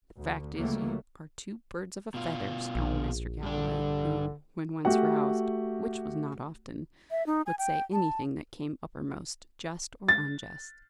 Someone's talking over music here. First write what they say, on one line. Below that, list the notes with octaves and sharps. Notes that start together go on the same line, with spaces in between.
"The fact is, you are two birds of a feather," stormed Mr. Galloway, who, when once roused, which was not often, would say anything that came uppermost, just or unjust.
D2
C#2 F#3 G3 A3 A#3
B2 F4
A#1
G2 D3 D4
A3 F#4 G4 F#5
E5
D#4
G#5
G5
A5
A6